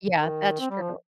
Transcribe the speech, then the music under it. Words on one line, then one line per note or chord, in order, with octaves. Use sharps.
Yeah, that's true.
D#3
C4
G3
F3